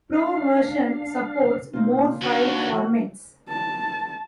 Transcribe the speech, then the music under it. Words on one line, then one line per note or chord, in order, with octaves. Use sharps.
Pro version supports more file formats.
D4 F5
B2 D#3 A#3 C4 F4
D#2 D4 F#4 B4 C#5
A5